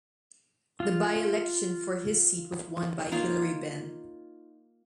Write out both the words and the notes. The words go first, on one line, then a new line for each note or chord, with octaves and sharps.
The by-election for his seat was won by Hilary Benn.
F4 F5
A#3 D#4 F4 C#5